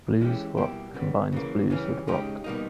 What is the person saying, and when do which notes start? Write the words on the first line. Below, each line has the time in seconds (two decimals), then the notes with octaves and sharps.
Blues rock combines blues with rock.
0.20 E3 G#3 C#4 E4 G4
0.57 B2 G3 A#3 E4 G4
0.94 C#3 G3 B3
1.32 C#3 E3 A#3
1.70 C#3 E3 G3 C#4
2.07 C#3 G#3 D#4 G4
2.44 B2 G3 A#3 D#4